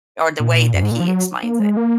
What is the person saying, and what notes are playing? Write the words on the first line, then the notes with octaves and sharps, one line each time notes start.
or the way that he explains it.
A#2
F#2
G#2
A#2
F3
F#3
A#3
G#3
A#3